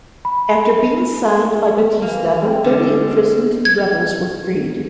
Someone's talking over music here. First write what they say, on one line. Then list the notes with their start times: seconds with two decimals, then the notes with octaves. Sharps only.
After being signed by Batista, the thirty imprisoned rebels were freed.
0.25 B5
2.02 E3 A#3
2.42 C4
2.64 D3 G3 G#3
3.65 G#6